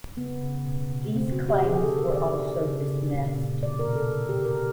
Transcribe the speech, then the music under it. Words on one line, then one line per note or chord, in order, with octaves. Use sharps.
These claims were also dismissed.
C#3 B3
C#3
B2
B2
C#3 C4
F#4
C#3
G4
D3 G#4
A4
D3
A#4
D#3 D5
D#3
C#3
C#3
A#2
A#2
B2 D5
A#4
B2
A4
D3
G4
D3
A#4